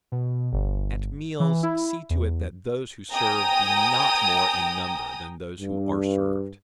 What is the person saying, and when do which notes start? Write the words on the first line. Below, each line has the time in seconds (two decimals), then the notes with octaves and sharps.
At meals, see to it that those who serve be not more in number than those who are served.
0.12 B2
0.53 G1
1.40 E3
1.63 E4
2.10 E2
3.13 G5 G#5 A#5 D#6
5.60 G2